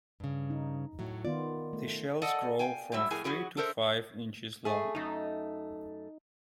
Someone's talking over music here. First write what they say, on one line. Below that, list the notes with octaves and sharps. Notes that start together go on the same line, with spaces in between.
The shells grow from three to five inches long.
G2 C#3
D#4
A2 F#3
D#3 B3 F4 D5
A3
A4 D5 D#5 F#5 A5
F5 G5 G#5
G#2 F#3 G3 E5
F2 A2 G#4 A#4 G#5
F#3 E4 F#4 G#4
D4 A4 A#4 C5 E5
A3 G#4
F#2 A3 D#4